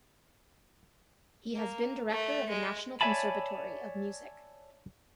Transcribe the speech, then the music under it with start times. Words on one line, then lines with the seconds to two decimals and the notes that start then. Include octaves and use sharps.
He has been director of the National Conservatory of Music.
1.56 A#3
2.10 A3
2.49 G#3
3.01 C#5 D5 E5 G#5 A5 B5